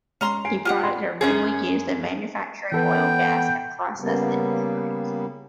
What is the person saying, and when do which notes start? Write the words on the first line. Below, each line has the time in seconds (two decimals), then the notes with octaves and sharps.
The products are mainly used in the manufacturing, oil, gas and process industries.
0.21 G#3 C#4 A#5 C6
0.45 G#5 C7 D7
0.65 F4 G4 F#5
0.83 D5 B5 C6
1.21 F#2 C#4 G#4
2.72 E3 B3 A4 B4 G5
4.00 C#3 G3 A#3 B3